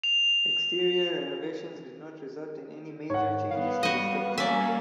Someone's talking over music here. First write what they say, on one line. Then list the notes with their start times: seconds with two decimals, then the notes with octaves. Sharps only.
Exterior renovations did not result in any major changes to the structure.
0.04 F7
3.10 G#2 C#5 F#5
3.50 G3 B3 F5
3.83 F#4 D#5
4.38 G3 A#3 C#4 D5 E5